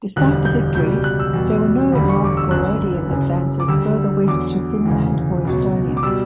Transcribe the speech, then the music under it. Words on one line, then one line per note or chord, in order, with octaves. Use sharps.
Despite the victories, there were no Novgorodian advances further west to Finland or Estonia.
E1 D2 D3 G3 F#6
G6
C#2 B2 G3 G6
F#6
E6
E2 B2 G3
E1 D2 D3 G3 B5
C#6
D6
E6
G1 F#2 D3 F#3 F#6
F#1 F#2 C#3
D6
D2 D3 G3 E6
E2 D3 F#3 D6
E1 D2 C#3 E3
C#2 B2 F#3
D6
B2 G3 E6